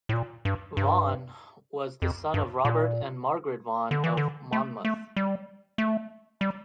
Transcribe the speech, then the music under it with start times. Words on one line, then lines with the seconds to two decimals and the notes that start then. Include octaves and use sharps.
Vaughan was the son of Robert and Margaret Vaughan of Monmouth.
0.09 A2
0.13 A#2
0.45 G2
0.77 G2
2.02 F2
2.34 G2
2.65 A#2
3.91 D3
4.04 E3
4.17 D3
4.53 A3
4.85 A3
5.16 G3
5.78 A3
6.41 G3